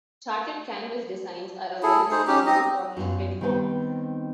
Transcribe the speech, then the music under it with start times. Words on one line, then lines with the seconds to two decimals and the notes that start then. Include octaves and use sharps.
Charted Canvas designs are available in book or leaflet form.
1.83 E4 G#4 A4
2.11 D#4 G#4 C5
2.27 C#4 D#4 G4
2.47 C4 D#4 D#5
2.97 F#2 B3 F4
3.41 D#3 G3 B3 C4 D#4 B4